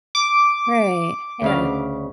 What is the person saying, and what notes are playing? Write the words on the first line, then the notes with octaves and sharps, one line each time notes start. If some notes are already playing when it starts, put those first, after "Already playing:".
Right, yeah.
D6
D2 C#3 F5